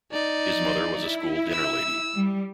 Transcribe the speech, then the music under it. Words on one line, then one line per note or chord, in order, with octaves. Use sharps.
His mother was a school dinner lady.
D#4 D5
F3
E4
E6
G3